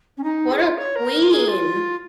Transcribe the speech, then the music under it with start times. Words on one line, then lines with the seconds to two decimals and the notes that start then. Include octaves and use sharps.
What a queen!
0.17 C#4
0.23 D#4
0.51 G#4
0.59 F4
0.77 C#5
0.95 A#4
1.30 G#4
1.47 F4